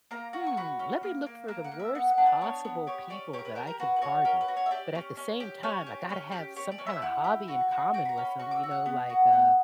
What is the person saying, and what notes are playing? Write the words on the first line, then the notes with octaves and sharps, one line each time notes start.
"Hmm, let me look for the worst possible people that I can pardon, but at the same time, I gotta have some kinda hobby in common with them," you know, like, "Uh
A#3 A#5
F#4
C#6
F#4 B5
C#4
A#3
A#3
A#3 A#5
F#5
A#3
E5
B3 F#5
F#5
D4
B4
B3 C#5
B3
G4 C#5
C#4 D5
G4 C#5
A#4
B4
G4 A#4
A#4
F#4 B4
B4
F#4 C#5
C#4 A#4
B4
F#4
C#5
E5
G4 D5
C#4
C#4
G4
C#4 C#5
G4
C#4
G4
G4 C#5
D5
C#4
E5
E4 F#5
G4
F#4
F#4
F#4 G5
B5
A#5
C#4
B5
F#4 C#6
D6
E6
F#4
F#6
B3
F#4
B3